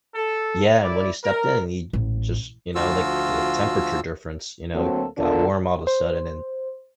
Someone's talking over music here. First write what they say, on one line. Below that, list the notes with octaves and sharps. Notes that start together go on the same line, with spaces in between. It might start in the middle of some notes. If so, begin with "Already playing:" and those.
yeah, and when he stepped in, he just you know, like, the temperature difference, you know, got warm all of a sudden and
A4
E4 D5
A#4
A1
D2 F3 F4 F#4 E6
D2 F#3 A#3 C4 A4
D3 B3 D4 F4 A4 A#4
C5